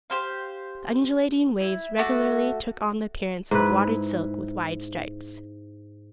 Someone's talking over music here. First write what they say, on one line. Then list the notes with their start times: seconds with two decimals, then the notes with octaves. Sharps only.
The undulating waves regularly took on the appearance of watered silk with wide stripes.
0.10 G4 C5 F5
1.60 E4
1.98 A3 F#4 D6
3.51 G#2 E4 B4